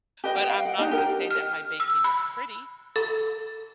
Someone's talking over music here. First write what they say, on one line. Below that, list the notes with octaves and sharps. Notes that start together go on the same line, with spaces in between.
but I'm not gonna say that my baking is pretty.
G4 B4 D#5
G5
D#5 F5 G5
F#5
D4 D#4 G4 D#5
G4 A#4
F6
E6
B5
A4